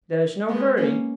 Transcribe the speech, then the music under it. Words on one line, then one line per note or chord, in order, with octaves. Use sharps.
There is no hurry.
G#3 B3
A#3 C#4